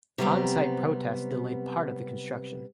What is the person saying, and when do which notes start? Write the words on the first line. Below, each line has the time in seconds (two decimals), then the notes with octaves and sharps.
On-site protests delayed part of the construction.
0.18 C3 F#3 G3 B3 C4 A#5